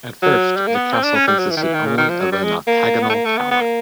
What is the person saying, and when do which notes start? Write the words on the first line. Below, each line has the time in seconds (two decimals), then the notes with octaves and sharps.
At first the castle consisted only of an octagonal tower.
0.22 F#3
0.57 G3
0.67 A#3
0.75 B3
0.92 C4
1.04 D4
1.15 C#4
1.27 G3
1.39 F#3
1.51 E3
1.57 D#3
1.62 E3
1.74 D#3
1.86 C#3
1.98 D#3
2.09 F3
2.20 F#3
2.32 G3
2.44 G#3
2.67 A#3
3.02 B3
3.10 A3
3.14 A#3
3.25 A3
3.37 B3
3.51 B3
3.61 A#3